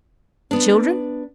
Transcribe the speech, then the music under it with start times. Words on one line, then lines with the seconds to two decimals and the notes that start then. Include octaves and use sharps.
The children?
0.51 B3 D4